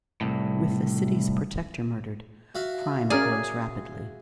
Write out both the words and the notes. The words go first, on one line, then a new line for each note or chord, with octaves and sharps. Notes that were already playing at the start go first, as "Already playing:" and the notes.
With the city's protector murdered, crime grows rapidly.
C2 A2
F#4 E5 F5
C#4 G#4 A#4 D5